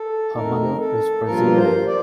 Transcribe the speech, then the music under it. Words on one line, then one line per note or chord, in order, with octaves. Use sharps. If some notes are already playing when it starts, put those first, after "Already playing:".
Her mother is Brazilian.
Already playing: A4
F2 D#3 A3 D#4 A#4
A4
G2 F3 A#3 F4 A#4
C5
D5